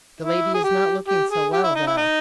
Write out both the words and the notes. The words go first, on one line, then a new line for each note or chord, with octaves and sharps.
The lady is not looking so well, though.
E4
G#4
G4
G4
G#4
G4
E4
D#4
E4
D#4